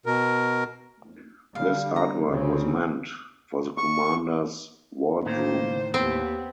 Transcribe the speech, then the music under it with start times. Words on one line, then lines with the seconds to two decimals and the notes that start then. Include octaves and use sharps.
This artwork was meant for the commander's wardroom.
0.06 B2 A#4
1.55 D3 G3 F5
1.96 A#5
2.29 D2 C#3 C4
3.77 C#6
5.26 A2 D#3 A#3 C5
5.94 D#2 B3 C4